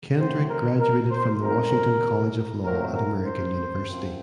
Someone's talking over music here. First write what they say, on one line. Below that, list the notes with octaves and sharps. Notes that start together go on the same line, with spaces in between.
Kendrick graduated from the Washington College of Law at American University.
C2 C3 F#3 A3 C4 C5
A#4
A#4
C5
F2 D#3 A3 C4 A#4
A#2 F#3 A3 C4 A#4
A#4
C5
F#2 F3 C4